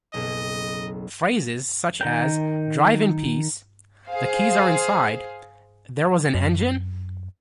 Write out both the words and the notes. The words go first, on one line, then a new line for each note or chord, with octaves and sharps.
Phrases such as, 'Drive in peace, the keys are inside,' 'There was an engine?
F#1 B1 B2 D#5
D#3 A#4 G5
G#4 C5 F5
F#2